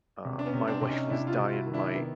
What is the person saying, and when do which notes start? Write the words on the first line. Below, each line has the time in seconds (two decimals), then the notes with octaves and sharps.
uh, my wife was dyeing my
0.25 C3
0.39 D4
0.46 B3 C#4
0.53 C3
0.67 C4 D4
0.81 C3
0.89 C#4 D#4
1.10 C3 D4 E4
1.27 F4
1.31 E4 F#4
1.38 C3
1.48 F4
1.52 E4 F#4
1.66 D#3
1.73 D4 E4
1.95 D#3 B3